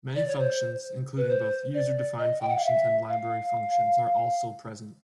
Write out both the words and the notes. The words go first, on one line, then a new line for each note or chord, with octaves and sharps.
Many functions, including both user-defined functions and library functions are also present.
D5
C#5
C5
B4
C5
D5
D#5
G5
F#5
F5
E5
F5